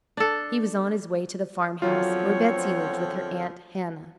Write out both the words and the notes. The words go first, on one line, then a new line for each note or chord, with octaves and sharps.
He was on his way to the farmhouse where Betsey lived with her Aunt Hannah.
D4 A4
E2 D3 F3 F#3 C4 F4 C#5